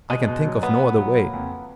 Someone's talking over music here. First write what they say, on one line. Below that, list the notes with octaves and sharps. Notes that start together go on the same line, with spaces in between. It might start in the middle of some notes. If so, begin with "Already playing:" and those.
I can think of no other way.
B2 G#3
B2
F#3
A#3 B3
B2
F#3
A#3
F2